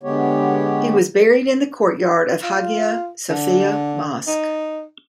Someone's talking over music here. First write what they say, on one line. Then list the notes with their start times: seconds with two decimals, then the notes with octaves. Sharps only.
He was buried in the courtyard of Haghia Sophia Mosque.
0.03 D3 G#3 B3 G4 C#5
2.43 F4
3.30 D3
4.27 D#4